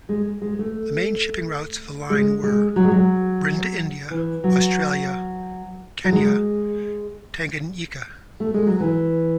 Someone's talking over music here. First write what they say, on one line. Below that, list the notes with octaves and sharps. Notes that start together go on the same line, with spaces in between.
The main shipping routes of the line were: Britain to India, Australia, Kenya, Tanganyika.
G#3
G#3
A3
G#3
G#3
F#3
G#3
F#3
E3
F#3
F#3
G#3
A3
G#3
F#3
E3